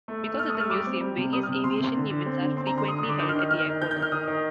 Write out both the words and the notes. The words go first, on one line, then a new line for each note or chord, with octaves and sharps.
Because of the museum, various aviation events are frequently held at the airport.
A3
A3
A3 F6
D#6
A3
F6
G3 D6
C4
G3
C3
G3 D#6
F6
C3
C3 C6
C3
D3
D3
C4
D3
C4 C6
A#5
D3
C6
D3 D#6
D#6
D3
D6
D#3 G6
F6
D#3
F6
D#3 F6
D#3
D#3 G6
G6
D#3
F6
D#3 D#6
D#3